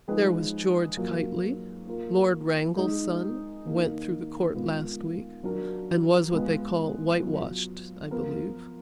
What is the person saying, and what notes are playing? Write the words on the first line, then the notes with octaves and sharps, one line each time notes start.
There was George Kitely, Lord Ragland's son, went through the Court last week, and was what they call whitewashed, I believe.
F3 G#3 D#4 G#4 B4
F#3 A#3 F4
A#3 F4 A#4
G#3 D#4 G#4
D#3 A#3 D#4
A#2 G#3 B3 F4
F#3 D4 F#4 A#4
A#2 G#3 B3 F4 B4
F#3 B3 F4
F3 B3 F4 A#4